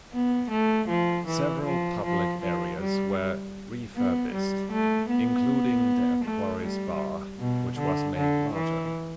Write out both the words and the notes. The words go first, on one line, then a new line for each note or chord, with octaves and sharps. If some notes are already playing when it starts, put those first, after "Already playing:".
Several public areas were refurbished including the Aquarius bar which was made larger.
B3
A3
F3
E3
F3
F3
F3
G3
B3
G3
A3
B3
A3
G3
B2
D3
D3
E3